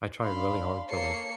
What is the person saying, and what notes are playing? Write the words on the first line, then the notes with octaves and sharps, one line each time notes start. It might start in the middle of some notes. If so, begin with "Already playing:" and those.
I tried really hard to, like
D4 F5 B5 C6
A#3 A4 C#5 C7 C#7